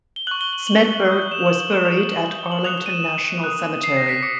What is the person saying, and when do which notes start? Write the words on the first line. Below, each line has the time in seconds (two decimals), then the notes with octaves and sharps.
Smedberg was buried at Arlington National Cemetery.
0.16 G7
0.27 C#6 F#6 F#7
0.41 G7
0.53 F#7
0.67 F#7
0.84 G7
0.93 F#7
1.06 D#6 G6
1.31 E7
1.39 F7
1.46 F#7
1.59 F#7
1.73 E7
1.85 C#6 F#6 F7
1.98 F#7
2.12 F#7
2.25 F#7
2.38 G7
2.52 F#7
2.64 D#6 F#6 F7
2.78 F7
2.86 D#7
2.91 E7
3.04 D#7
3.44 D#6 F#6
3.84 C7
3.97 A#6
4.09 B6
4.23 D6 C#7